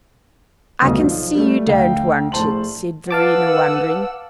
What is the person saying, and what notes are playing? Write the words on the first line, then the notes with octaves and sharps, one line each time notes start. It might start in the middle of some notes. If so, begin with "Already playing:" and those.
"I can see you don't want it," said Verena, wondering.
F1 D2 G2 B2 F#4 D#6
B1 F3
G3 A3
D2 F5 G5
A#1 A2 C5 A5 C6 F#7
B4 F5 F#5 A5 D6 E6